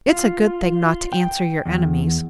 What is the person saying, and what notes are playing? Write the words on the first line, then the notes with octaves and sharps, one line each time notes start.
It's a good thing not to answer your enemies.
F4
G5
E2